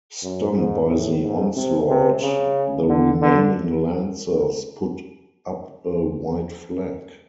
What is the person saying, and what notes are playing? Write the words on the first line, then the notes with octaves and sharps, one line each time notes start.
Stunned by the onslaught, the remaining Lancers put up a white flag.
F#2
G#2
A2
G#2
C3
C3
C#3
D3
D3